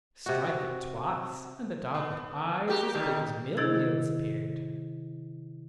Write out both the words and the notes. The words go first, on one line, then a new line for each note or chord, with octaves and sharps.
Strike it twice and the dog with eyes as big as mill-wheels appeared.
C3 F#4
B3
A#3 F#4 G4
A#2 D#3 G3
C3 D#3 E4 G#4 A6